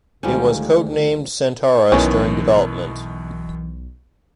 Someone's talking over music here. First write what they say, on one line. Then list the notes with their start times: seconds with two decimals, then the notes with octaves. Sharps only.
It was code-named "Centaurus" during development.
0.23 D2 D3 D#3 F3 G3 G#3 C#4
1.92 B1 F#2 B2 D#3 E3 C#4